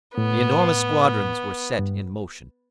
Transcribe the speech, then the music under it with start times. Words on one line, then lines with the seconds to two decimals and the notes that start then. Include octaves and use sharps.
The enormous squadrons were set in motion.
0.17 A2 B3
1.79 G2